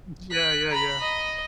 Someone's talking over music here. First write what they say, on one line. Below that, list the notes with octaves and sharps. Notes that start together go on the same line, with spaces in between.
Yeah, yeah, yeah.
F#6 B6
A#5 B5
D#5